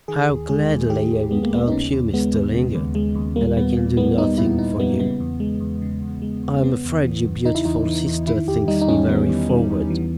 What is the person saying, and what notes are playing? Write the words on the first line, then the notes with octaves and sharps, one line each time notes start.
How gladly I would help you, Mr. Lingard, and I can do nothing for you.--I'm afraid your beautiful sister thinks me very forward.
D#3 G#4
D#2
G#3 G#4
D#2
D#3 G4
D#2
G#3 B3
A#3
D#2 B3
D#4
C#3 C#4
D#2
G#3 B3
D#2
C#3
D#2
G#3
D#2
G3 A#3
A#2 B3
A#2
G3 B3
G3 D#4
A#2 E4
A#2 D#4
G3 B3
C#3 B3
E2
G#3
E2
C#3
E2
G#3
E2
C#4
C#3 B3
E2
E3
E2
C#3 D#4
E4
E2 D#4
E3
E2
D#3 E4
E2 G4
G3 D#4
D#4
E2 C#4
D#3 B3
E2
G3
E2
E3